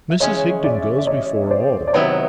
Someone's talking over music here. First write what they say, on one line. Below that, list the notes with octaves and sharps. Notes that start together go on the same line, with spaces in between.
Mrs Higden goes before all.
E5
C#3 E3 G#3 C#4 C#5 D#5
D5 E5
E5
C#5 D#5
C5 D5
D5
C3 D#3 F#3 B3 E4 B4 C#5